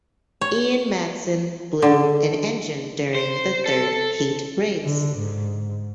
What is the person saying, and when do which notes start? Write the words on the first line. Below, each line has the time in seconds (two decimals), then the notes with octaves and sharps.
Ian Madsen blew an engine during the third heat race.
0.41 C#5
1.82 D3
3.15 C5
3.66 A4
4.84 D3
5.17 G#2